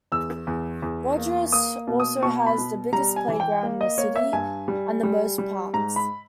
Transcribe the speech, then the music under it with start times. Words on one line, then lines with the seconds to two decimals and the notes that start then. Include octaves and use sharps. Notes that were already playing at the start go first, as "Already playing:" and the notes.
Rogerius also has the biggest playground in the city and the most parks.
0.12 E2 E6
0.47 E2
0.82 E2
1.17 A#3
1.52 A#3 D#6
1.87 B2
2.00 D#6
2.22 B2 C#6
2.46 B5
2.58 B2
2.93 G3 A#5
3.16 G#5
3.28 E3
3.40 G5
3.63 A#3
3.81 D#5
3.98 A#3 C#5
4.16 E5
4.33 G2 G#5
4.68 G3
5.03 G3
5.38 G3
5.74 G#2 A#5
5.96 B5